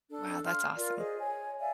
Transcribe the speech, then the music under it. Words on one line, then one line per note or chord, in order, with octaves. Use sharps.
Wow, that's awesome.
D4 A4
F5 C6 F6
F4 A#4 D5 F5
G#4 C5 D#5
C#5 G#5
D5 E5 F5 G#5